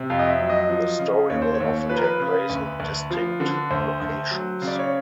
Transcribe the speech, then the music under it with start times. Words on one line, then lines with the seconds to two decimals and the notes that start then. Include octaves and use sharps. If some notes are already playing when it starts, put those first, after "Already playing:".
The story will often take place in distinct locations.
Already playing: C3
0.10 F2 F5
0.19 D#5
0.30 E5
0.39 F#3
0.50 D#5
0.70 F3
0.99 C#3
1.30 D#2 C#5
1.42 C5
1.54 C#5
1.60 D#2
1.89 F3 B4
1.97 A#4
2.04 B4
2.20 C#3
2.50 D2
2.80 D2
3.10 F3
3.40 D3
3.71 D2 C5
4.01 D2
4.31 F#3
4.62 C#3
4.67 D5
4.79 C#5